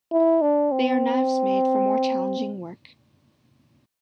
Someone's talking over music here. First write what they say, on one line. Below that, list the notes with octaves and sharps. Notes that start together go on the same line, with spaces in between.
They are knives made for more challenging work.
E4
D4
C4